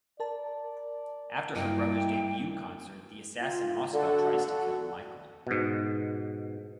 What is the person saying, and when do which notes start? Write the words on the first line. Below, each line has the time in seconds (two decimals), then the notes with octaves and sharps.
After her brother's debut concert, the assassin Mosca tries to kill Michael.
0.20 A#4 D5 A5
1.56 G2 A#3 E4 D#5 G5
3.41 F4
3.93 D3 F#4 A4 F#5
5.47 G#2 B2